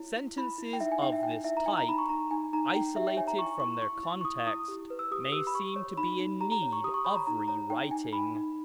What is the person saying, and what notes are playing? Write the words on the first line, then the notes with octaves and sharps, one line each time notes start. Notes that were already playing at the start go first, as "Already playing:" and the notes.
Sentences of this type, isolated from their context, may seem to be in need of rewriting.
Already playing: E4 C#5
E4
E4 B5
E4
G5
D#4 E5
G#5
D#4 G5
E5
E4 G5
E4 E5
A#5
D#4 G#5
A#5
D#4 B5
C#6
D#4 A#5
D#4 G#5
D#4 A#5
D#4 G5
G4 E5
G5
C#5 G#5
A#5
E4 C#6
E4 C#6
E4 C#6
E4
C#6
E4 D#6
E4 D#6
G4
B4
E6
G4 D#6
G4 E6
B5
G4 C#6
C#5
D#4 B5
D#4
G4 A#5
A#5
C#5
C#6
G4 D#6
C#6
C#5 B5
A#5
D#4 A#5
C#5 A#5
D#4 G5
D#4 G#5
D#4 B5
D#4